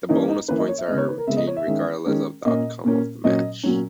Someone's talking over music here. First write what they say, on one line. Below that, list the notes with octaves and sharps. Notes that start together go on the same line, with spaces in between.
The bonus points are retained regardless of the outcome of the match.
E3 A#3 C#4 D#4
D#4
E3 A#3 C#4 B4
D#5
C#5
E5
C#3 G#3 B3 D#5
C#5
B4
A#4
C#3 G#3 B3 E5
D#5
C#5
E5
D#3 G#3 C#4
D#3 G#3 C#4
A#2 A#3 C#4 D#5
A#2 A#3 C#4
A#2 F#3 C#4 D#5
A#2 F#3 C#4